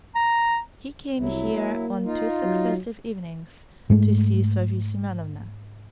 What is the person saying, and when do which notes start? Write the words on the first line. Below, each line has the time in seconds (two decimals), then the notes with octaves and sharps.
He came here on two successive evenings to see Sofya Semyonovna.
0.15 A#5
1.19 C2 F#3 E4
1.52 A#3
2.05 D#4 F4
2.44 F#3
3.90 G#2 G#3 A3